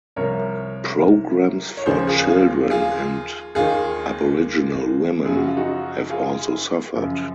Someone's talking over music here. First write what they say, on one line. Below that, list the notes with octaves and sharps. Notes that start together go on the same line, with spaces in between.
Programs for children and Aboriginal women have also suffered.
C2 C3 F3 A#4 C#5
C#5
D#2 C#3 F3 G#4 C5
F4 G#4
F4
F4 G#4
D#2 D#3 F4 G#4
F#2 C#3 F3 G#4
F#4
F4
D#4 F#4
F4 G#4
F#2 C#3 F3